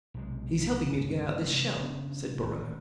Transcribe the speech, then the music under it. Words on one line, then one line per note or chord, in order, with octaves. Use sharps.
"He's helping me to get out this shell," said Borrowe.
B1 C3 G#3
G1 C#2
C3 E3 G#3
C#3 B3 C#4 D4
D#1 A1